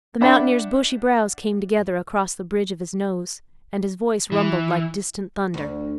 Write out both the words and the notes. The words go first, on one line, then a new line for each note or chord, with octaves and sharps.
The mountaineer's bushy brows came together across the bridge of his nose and his voice rumbled like distant thunder.
D4 E5 F#5 G5 B5
E3
D2